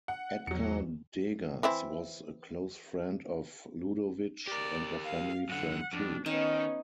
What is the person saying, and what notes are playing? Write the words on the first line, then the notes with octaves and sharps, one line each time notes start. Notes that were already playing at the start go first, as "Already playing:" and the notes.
Edgar Degas was a close friend of Ludovic and a family friend too.
F#5
E2 F#3 C#7
E3 C4 E4
G4 A#4 D5
F5
F#2 D3 F#5
F2 D4
D#3 B3 C#4 D#4